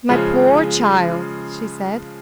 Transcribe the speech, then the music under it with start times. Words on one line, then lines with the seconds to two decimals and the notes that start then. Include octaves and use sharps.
"My poor child!" she said.
0.09 C#3 F3 G#3